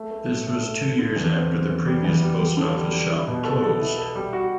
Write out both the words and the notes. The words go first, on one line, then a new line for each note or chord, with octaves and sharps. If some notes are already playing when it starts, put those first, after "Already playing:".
This was two years after the previous post office shop closed.
Already playing: A3
A3
A2
A3
A3
A3
D3
E2
C4
C4
E2
G3
E2
G3
G3
D3
G3
G3
E4
B2
A4
A4
E4
A4
G3
F#4